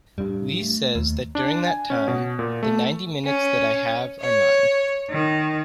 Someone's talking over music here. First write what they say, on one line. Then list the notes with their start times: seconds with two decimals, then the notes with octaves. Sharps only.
Li says that during that time, '...the ninety minutes that I have are mine.
0.18 A2 G3 D4
0.62 A3
0.95 D#2
1.35 D4
1.67 G#5
1.90 C#4
2.08 B2
2.39 A#2
2.63 A3
3.24 C#4
4.19 C#5
5.11 D#3